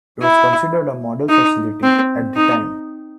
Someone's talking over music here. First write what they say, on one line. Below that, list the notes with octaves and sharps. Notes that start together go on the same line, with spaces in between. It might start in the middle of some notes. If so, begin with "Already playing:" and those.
It was considered a model facility at the time.
E4
D#4
C4
D#4